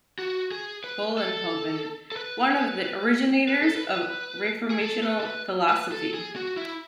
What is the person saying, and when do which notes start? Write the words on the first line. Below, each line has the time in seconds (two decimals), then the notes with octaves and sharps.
Vollenhoven, one of the originators of Reformational philosophy.
0.19 F#4
0.51 G#4
0.84 B4
1.18 A4
2.12 A4
2.16 B4
3.49 B4
3.62 A4
3.77 B4
4.70 G#4
4.81 A4
5.03 B4
5.20 A4
5.25 B4
5.69 B4
5.92 A4
6.14 G#4
6.36 F#4
6.57 E4